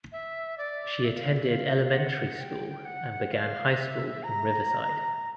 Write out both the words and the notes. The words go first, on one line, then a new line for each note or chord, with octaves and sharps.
She attended elementary school and began high school in Riverside.
E5
D5
E5
F5
E5
F5
F5
F#5
G5
F#5
F5
E5
A#5